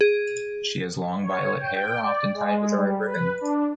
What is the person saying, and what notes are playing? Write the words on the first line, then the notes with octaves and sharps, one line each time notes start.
She has long, violet hair, often tied with a red ribbon.
G#4
C#5
G5
D5
G#3
G3
B4
D4